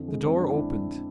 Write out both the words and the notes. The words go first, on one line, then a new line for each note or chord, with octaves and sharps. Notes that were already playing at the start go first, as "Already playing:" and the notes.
The door opened.
Already playing: F2 D3 E3
G#3
F2 C4
F2 D4
E4